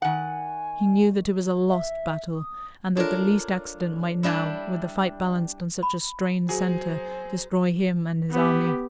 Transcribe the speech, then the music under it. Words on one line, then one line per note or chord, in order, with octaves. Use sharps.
He knew that it was a lost battle and that the least accident might now--with the fight balanced on such a strained center--destroy him and his army.
D#3 F#5 G#5
E5
D#6
D4 F4 A4 A#4 C#5
G3 D4 E4
B5
F#3 G#4 C5
B3 G4